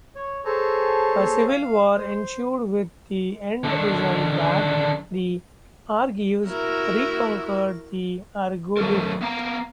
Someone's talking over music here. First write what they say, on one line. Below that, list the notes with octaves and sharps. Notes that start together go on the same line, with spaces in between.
A civil war ensued, with the end result that the Argives re-conquered the Argolid.
C#5
G#4 A4 C5 C#5 A5 A#5
F5
C5
D3 D#3
E4 F#4 A#4
F#3 A3 A4 A#4
B3 F5 A#5